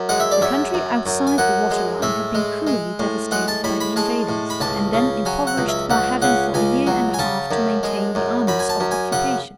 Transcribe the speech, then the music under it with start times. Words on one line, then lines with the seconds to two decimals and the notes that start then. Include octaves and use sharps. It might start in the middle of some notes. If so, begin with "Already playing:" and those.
The country outside the water-line had been cruelly devastated by the invaders, and then impoverished by having for a year and a half to maintain the armies of occupation.
Already playing: F#2
0.09 G#3 F#5
0.20 E5
0.31 D5
0.41 F#2 E5
0.74 F#2
1.06 F#2
1.27 G#5
1.38 F#2 F#5
1.71 G#3
2.02 A2 E5
2.35 G#3
2.67 G#3
2.99 A2
3.32 G#3 F#5
3.48 A5
3.64 A2 B5
3.81 B5
3.96 G#3 A5
4.29 A2
4.50 B5
4.61 C#2 A5
4.93 C#3
5.25 F#3 G#5
5.47 F#5
5.58 C#2
5.68 E5
5.90 C#2 F#5
6.22 C#3 F#5
6.54 C#2 G#5
6.87 F#3
7.14 G#5
7.19 C#3 A5
7.51 F#2
7.83 G#3
8.15 F#2
8.47 F#2 B5
8.59 G#5
8.69 A5
8.80 F#2
8.91 G#5
9.12 C#3 F#5